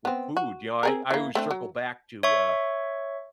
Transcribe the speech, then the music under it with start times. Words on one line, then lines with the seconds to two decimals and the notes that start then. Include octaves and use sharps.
with food, you know, I I always circle back to, uh,
0.05 B3 C4
0.37 F#4
0.83 C4 G#4 A#4
1.11 E3 A#3
1.35 A3 C4 D4
1.51 F#3
2.23 C#5 E5 C#6